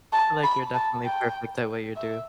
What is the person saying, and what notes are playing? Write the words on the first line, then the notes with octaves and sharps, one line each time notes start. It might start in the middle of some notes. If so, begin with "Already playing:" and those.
I like you're definitely perfect the way you do.
A5
B5
A5
G5
E5